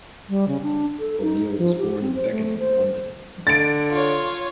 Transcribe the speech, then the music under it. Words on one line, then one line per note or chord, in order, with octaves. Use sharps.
O'Neil was born in Beckenham, London.
G3
C#3
D4
A4
D#4
F3
G4
C4
C5
A3
C5
D3 A6 D7
F4 C#5